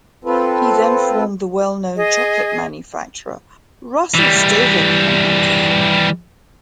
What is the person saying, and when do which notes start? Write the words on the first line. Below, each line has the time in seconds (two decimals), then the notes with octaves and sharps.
He then formed the well-known chocolate manufacturer Russell Stover Candies.
0.25 C4 F4 A4 B4
1.97 G#4 D#5
4.14 E3 G3